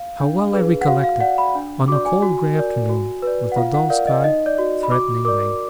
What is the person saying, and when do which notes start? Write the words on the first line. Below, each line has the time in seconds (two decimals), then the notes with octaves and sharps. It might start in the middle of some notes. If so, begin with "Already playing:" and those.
How well I recollect it, on a cold grey afternoon, with a dull sky, threatening rain!
Already playing: F5
0.20 D4
0.53 G#4 B4
0.81 F#5
0.87 F#4 F5
1.04 F5
1.20 D5 F#5
1.38 B5
1.55 D4
1.88 F#4 D5 D6
2.06 G#5
2.22 F#4
2.55 A#4 D5
2.89 F#4
3.22 B4 D5
3.52 F#5
3.56 F4 F5
3.74 F#5
3.90 A#4 D5 F5
4.07 D#5
4.24 D#4 D#5
4.46 D5
4.58 F#4 D5
4.83 B5
4.91 F#4 D6
5.25 A#4 D5 D6